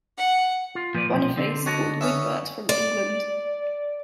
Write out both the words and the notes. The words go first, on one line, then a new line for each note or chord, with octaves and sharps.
Boniface called Wigbert from England.
F#5
F4
A#2 F3 B4 D5
B1 F3
D3 C4
F#4 C#5 D#5 A5
B3 C#4 C#5 E5
D5